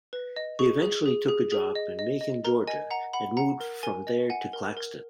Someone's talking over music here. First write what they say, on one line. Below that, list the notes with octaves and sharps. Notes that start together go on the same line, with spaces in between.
He eventually took a job in Macon, Georgia and moved from there to Claxton.
B4
D#5
G#4 C#6
G#4
G#4
G#4
G#4
D#5
D#5
D#5
A#4 A#5
D#5 G#5
F#5 A#5
F#5 B5
F#5 A#5
A#4
A#4 G#5
D#5
F#5 G#5
A#4
A#4